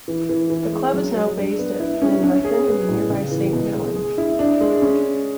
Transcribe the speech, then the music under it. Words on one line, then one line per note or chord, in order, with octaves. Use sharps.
The club is now based at Llwynarthen in nearby Saint Mellons.
E3
E3
E3
G#3
F#3
F#4
D4
B3
E4
C#4
C#4
G#4
B3
A2
C#3
E3
B2
G#3
G#4
E4
D4
G#3
C#4